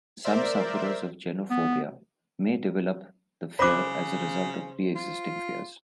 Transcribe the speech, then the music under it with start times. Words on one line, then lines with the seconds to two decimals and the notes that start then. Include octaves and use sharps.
Some sufferers of genophobia may develop the fear as a result of preexisting fears.
0.24 A#4 C5 D5 E5
1.51 B3
3.59 C#3 C5 B5 D6 F#6
4.95 F4